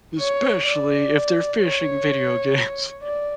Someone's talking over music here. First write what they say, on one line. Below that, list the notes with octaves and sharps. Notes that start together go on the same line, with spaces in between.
"Especially if they're fishing video games."
C#5
D5
C#5
D5